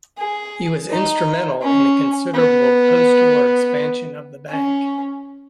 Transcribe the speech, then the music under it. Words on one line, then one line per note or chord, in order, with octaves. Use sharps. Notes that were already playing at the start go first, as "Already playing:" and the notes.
He was instrumental in the considerable post-war expansion of the bank.
G#4
D#4
C#4
B3
C#4